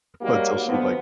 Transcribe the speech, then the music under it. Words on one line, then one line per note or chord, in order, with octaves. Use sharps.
until she, like
G#2 F#3 G3 A#3 F#4 G4
D2 F3 B3